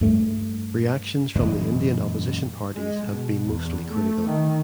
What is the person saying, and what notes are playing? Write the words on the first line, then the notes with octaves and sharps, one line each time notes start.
Reactions from the Indian opposition parties have been mostly critical.
G2 A3
F#2 A#2 E3 G#3
G#3
B2
E2
A3
D#3